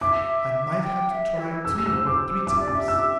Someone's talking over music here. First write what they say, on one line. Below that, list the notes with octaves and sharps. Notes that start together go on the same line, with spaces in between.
I might have to try two or three times.
E5 D6
G5
E5
E4
A4 E6
G4
E6
C5
D6
E5 D6
D5
D6
E5
E6